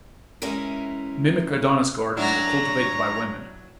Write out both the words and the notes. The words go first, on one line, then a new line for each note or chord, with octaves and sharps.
Mimic Adonis gardens were cultivated by women.
E3 G#3 C#4 E4 A#4
F#3 D4 E4 C#5 A#5